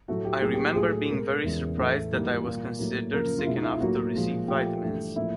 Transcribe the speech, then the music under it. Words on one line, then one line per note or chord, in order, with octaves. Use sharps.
I remember being very surprised that I was considered sick enough to receive vitamins.
A2 F#3 A3 F#4
G4
A2 F#3 A#3 G#4
G4
G#4
A2 F#3 A3 G#4
B2 G#3 A#4
E2 C#3 E3 G#3
A2 E3 A3
G#2 E3 G3 A#3
A#2 G3 A#3
A2 F#3 A#3
F#2 C#3 F3 A#3 A#4
F4
B2 G#3 E4
D#4
E4
F4
A2 F#3 A#3 F#4
A#2 F3 G#3
A#2 F3 A3 G4
G2 E3 A3
A2 F3 A#3 E4